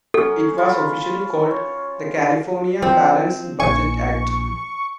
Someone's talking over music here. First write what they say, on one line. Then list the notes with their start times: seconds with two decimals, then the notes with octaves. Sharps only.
It was officially called the California Balanced Budget Act.
0.14 F#3 C#4 A4
0.58 F4 B5
1.51 C#5
2.82 F3 C4
3.60 A#1 E3 G#5 C#6